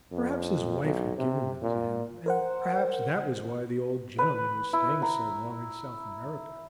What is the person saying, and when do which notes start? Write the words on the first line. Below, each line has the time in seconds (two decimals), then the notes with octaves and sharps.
Perhaps his wife had given them to him, and perhaps that was why the old gentleman was staying so long in South America.
0.11 F2
0.83 B1
1.17 C3
1.62 A#2
2.26 A#4 C5 F#5
4.18 B4
4.73 E4
5.02 A#5